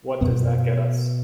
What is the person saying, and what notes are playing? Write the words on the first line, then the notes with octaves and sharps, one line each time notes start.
What does that get us?
F#2 B2 B3
F#2